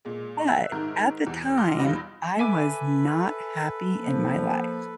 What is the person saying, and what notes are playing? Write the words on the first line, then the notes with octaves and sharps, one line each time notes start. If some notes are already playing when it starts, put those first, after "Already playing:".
But, at the time, I was not happy in my life,
A#2 G#3
E5 E6 F#6
G#2 D#3 A#4 F6 G6
E2
C6 D6 E6 F6 A#6
E2 G3 D#4 F4 B5 A#6
A4 B4 E5 G#5 D6
F3 A#3